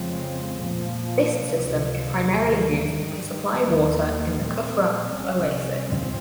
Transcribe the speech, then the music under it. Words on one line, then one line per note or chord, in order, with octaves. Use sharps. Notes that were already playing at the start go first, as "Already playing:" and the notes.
This system is primarily used to supply water in the Kufra oasis.
Already playing: F2 C#3 F3 G#3 C4
A#2 F3 A#3
C#2 C3 F3
D#2 D#3 A#3
G#2 D#3 G3
D#2 D#3 A#3
A#2 G#3 C4
C2 C3 G3 C#4
A#2 F3 G#3 C4